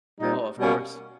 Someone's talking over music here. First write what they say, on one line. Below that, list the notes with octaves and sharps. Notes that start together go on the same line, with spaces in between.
Oh, of course.
A#2 G3 C4 D#4
B2 G3 A#3 C#4